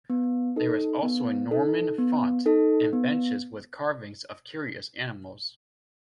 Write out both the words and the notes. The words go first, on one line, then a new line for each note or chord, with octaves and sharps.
There is also a Norman font, and benches with carvings of curious animals.
B3
D#4 A4
B3
D#4 A4
B3
D#4 A4
B3